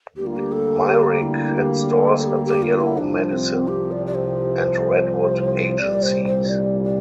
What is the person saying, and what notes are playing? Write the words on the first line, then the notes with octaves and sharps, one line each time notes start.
Myrick had stores at the Yellow Medicine and Redwood Agencies.
D2 D3 G3 A#3 G4
F4
G4
A4
G4
E4
G4
C5
A4
G4
G4
F4
E4
C2 C3 F3 D4
C4
G4
D5
D5
C5
C2 A#2 G3 D5
C5
C5
D5
D5